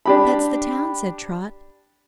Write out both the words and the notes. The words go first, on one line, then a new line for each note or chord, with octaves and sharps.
"That's the town," said Trot.
D4 G4 B5